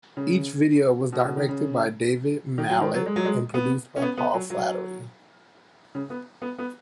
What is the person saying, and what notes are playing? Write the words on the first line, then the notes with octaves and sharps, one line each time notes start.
Each video was directed by David Mallet and produced by Paul Flattery.
C#3
B2
B2
D#3
C#3
D#3
F#3
D#3
F#3
G#3
F#3
G#3
B3
C#4
B3
B3
F#3
F#3
C#3
B3
B3
B3